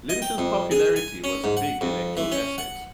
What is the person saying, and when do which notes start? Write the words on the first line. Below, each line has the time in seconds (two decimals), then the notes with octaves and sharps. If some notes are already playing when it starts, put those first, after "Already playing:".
Lynch's popularity was a big electoral asset.
0.09 D#5
0.22 G5
0.38 F2
0.71 G#4
0.96 G#5
1.24 C#4
1.44 G#2
1.57 F#5
1.81 F2
2.17 E3
2.32 C#4
2.58 F#5